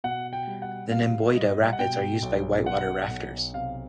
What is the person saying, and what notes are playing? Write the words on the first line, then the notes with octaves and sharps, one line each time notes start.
The Nymboida rapids are used by white water rafters.
B2 F#5
G5
G3
F#5
B2 F5
G3 D#5
F#5
B2 G5
B1
B1 F#5
B1
C3 F5